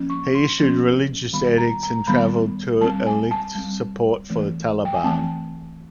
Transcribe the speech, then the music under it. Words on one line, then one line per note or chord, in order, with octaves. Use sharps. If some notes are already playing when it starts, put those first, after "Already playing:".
He issued religious edicts and travelled to elicit support for the Taliban.
Already playing: F3 A#3 C#4
C#6
C6
F3 A#3 C#4 C6
D#3 G3 B3 B5
A#5
A#5
D#3 G3 B3 B5
G3 C4 A5
G#5
A5
G3 C4
E3 A3 C4
G5
G#5
E3 A3 C4 A5